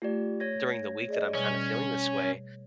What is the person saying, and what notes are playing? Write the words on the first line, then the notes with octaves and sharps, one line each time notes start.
during the week that I'm kinda feeling this way.
A3 F4 G4 D5
C#5 G#6 A#6
G#4 D5 D#5
B2 G3 C#4